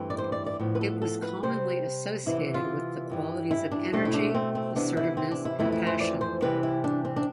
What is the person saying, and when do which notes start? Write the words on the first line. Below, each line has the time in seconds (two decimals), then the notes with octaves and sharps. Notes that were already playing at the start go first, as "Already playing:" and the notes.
It was commonly associated with the qualities of energy, assertiveness, and passion.
Already playing: G2 E3 A3 C4
0.10 D5
0.18 C5
0.32 D5
0.46 D5
0.60 A2 F3 B3
0.75 B4
0.81 A4
1.02 A4
1.22 B4
1.43 C3 G3 C4 C5
2.26 C3 E3 B3 E4
2.54 F4
3.10 G2 E3 G3
3.51 E4
3.71 D4
3.92 B2 A3 C4 D4
4.05 E4
4.14 D4
4.34 C4
4.55 C4
4.76 C3 E3 B3 D4
4.97 E4
5.17 C4
5.31 D4
5.45 E4
5.59 F2 E3 A3 C4 E4
5.72 E4
5.87 C5
6.00 D5
6.21 C5
6.42 C3 E3 G3 C4 B4
6.63 E4
6.84 D4
7.05 C4
7.16 D4